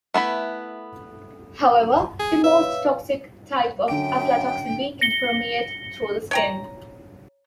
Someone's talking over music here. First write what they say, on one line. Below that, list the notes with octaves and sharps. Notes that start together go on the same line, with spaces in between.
However the most toxic type of aflatoxin, B, can permeate through the skin.
A3 B3 E4 B5
G#4
B4 C#5 E5 F5
F#2 D3 G5 D7
A#6 C#7 G7
C#5 G5 A#5